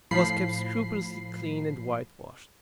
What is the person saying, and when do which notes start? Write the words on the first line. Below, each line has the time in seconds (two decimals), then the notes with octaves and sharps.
It was kept scrupulously clean and whitewashed.
0.11 A2 F3 B5 C7